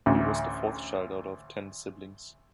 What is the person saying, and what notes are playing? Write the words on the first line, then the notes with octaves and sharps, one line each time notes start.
He was the fourth child out of ten siblings.
A1 D2